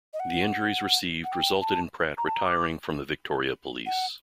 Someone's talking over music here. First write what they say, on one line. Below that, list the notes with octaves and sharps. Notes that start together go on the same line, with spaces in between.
The injuries received resulted in Pratt retiring from the Victoria Police.
D#5
F#5
F#5
G5
A5
A#5
A5
A#5
D6
F#5